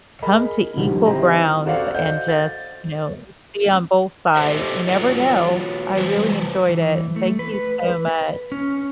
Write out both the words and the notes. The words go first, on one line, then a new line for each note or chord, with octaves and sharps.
come to equal grounds and just, you know, see on both sides, you never know. I really enjoyed it. Thank you so much.
G#4 A#4 D#5 B5
D3 D#3 F3 G3
C4 E4 G4 D#5 A#5
F#4 A4 C5 D5 F5 F#5
C5 D#5 F#5 G6
A6
G4 A4 C5 D#5 E5
F4 F#4 B4 C#5
E3 G3 B4 C5
E3
A3
B4
C#4